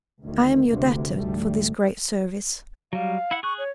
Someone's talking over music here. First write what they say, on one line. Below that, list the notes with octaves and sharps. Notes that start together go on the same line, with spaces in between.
'I am your debtor for this great service.'
D2 D#3
D2 C3
F1 D2 G#2 G3 A3
F#3 G3 F5
E4 F#5
G#4 C#6 F#6
C#5